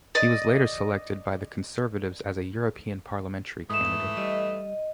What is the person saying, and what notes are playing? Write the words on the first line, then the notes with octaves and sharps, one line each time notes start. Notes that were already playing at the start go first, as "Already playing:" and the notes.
He was later selected by the Conservatives as a European parliamentary candidate.
D5 D#5
G#2 E3 A3 D#6 E7
G3 D#5